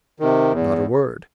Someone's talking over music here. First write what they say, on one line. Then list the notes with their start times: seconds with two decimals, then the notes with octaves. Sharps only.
"Not a word."
0.19 C3 D#3
0.53 E2